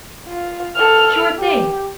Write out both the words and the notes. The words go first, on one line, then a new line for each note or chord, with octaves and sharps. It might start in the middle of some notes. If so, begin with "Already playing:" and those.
Sure thing.
F4
A4 F6
G4